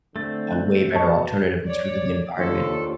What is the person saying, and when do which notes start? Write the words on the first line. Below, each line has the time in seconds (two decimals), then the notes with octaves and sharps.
a way better alternative in terms of the environment
0.16 D3 A3 C4 A6
0.51 F#6
0.94 B2 D#5 A5 C#6
1.67 C#5 D5
2.38 D#2 C#4 D4 F4 A4 C5